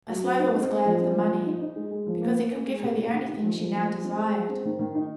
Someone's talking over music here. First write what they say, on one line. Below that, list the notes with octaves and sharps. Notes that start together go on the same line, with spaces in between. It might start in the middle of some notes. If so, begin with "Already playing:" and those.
Maslova was glad of the money, because it could give her the only thing she now desired.
F#3
C4
D#4
C4
G#3
F3
C4
F3
F3
D#4
D#4
G#3
G#3
F3
A#3
A#3
C#4
G#3
C3
C3
D#3
D#4
F3
F3
F3
F3
C4
G#3
G#3
C4
D#3
D#3
D#4